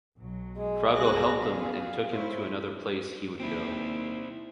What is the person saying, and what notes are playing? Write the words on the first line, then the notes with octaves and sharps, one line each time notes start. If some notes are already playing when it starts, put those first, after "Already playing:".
Froggo helped him and took him to another place he would go.
B1 F#3
G#3
C2 G#4 F#6 A#6
B3 G#4 F5
E4 C5 C#5
D#2 C4 E4